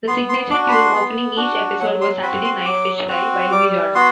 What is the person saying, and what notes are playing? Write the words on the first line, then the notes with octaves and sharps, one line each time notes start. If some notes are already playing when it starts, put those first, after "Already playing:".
The signature tune opening each episode was "Saturday Night Fish Fry" by Louis Jordan.
B3 C6
C6
D4 F#4 D6
B5
C6
B3
D4 F#4
F#3 F#5
C6
C4 F#4 B5
C6
F#3 D6
C4 F#4
G3 D6
B3 F#4 C6